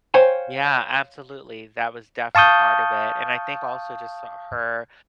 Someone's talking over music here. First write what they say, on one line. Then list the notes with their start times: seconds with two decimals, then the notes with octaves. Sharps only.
Yeah, absolutely, that was definitely part of it, and I think also just, uh, her,
0.14 C5 C#5 F5 G5 G#5
2.35 F5 A5 C#6 D#6 G6